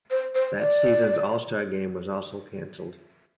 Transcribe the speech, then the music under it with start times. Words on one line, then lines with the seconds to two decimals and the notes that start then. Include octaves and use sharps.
That season's All-Star Game was also canceled.
0.11 C5
0.35 C5
0.59 D5